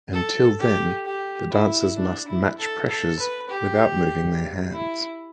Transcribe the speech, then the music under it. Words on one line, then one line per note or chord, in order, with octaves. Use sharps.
Until then, the dancers must match pressures without moving their hands.
A4
G4
G4
E4
D4
E4
A4
A4
B4
G4
E4